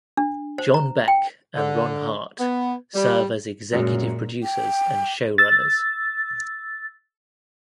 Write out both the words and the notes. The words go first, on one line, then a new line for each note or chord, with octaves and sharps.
John Beck and Ron Hart serve as executive producers and showrunners.
D4
C5
A#5
G5
D3
B3
G3
F#2 A#2 F#3 G#3
G5
E6 A6